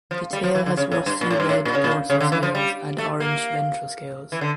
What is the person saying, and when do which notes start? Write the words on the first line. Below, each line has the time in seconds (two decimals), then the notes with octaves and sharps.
The tail has rusty red dorsal scales and orange ventral scales.
0.11 F3
0.33 G3
0.43 F3
0.55 E3
0.66 D3
0.77 C#3
0.92 A2
1.06 G2
1.21 A#2
1.31 A2
1.40 G2
1.49 A2
1.65 A#2
1.75 C#3
1.84 A#2
2.10 C#3
2.20 D3
2.32 E3
2.43 F3
2.55 G3
2.98 A3
3.20 A#3
4.32 E3
4.41 D3